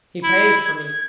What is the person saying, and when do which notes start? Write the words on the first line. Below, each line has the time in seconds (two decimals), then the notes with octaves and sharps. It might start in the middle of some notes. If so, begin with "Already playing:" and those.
"He pays for me."
0.23 E4
0.65 G#6